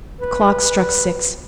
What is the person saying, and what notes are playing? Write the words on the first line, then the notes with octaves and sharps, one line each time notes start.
The clock struck six.
B4